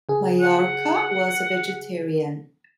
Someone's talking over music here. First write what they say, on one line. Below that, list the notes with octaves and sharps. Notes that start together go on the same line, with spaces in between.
Maiorca was a vegetarian.
C#3 G#4
F#5